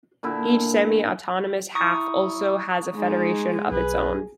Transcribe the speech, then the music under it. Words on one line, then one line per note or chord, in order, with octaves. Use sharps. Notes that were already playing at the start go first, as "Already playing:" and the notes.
Each semi-autonomous half also has a federation of its own.
A#2 D3 E4
E4 A#5 C#6 D#6
G#3 D#4
B1 G#4 B4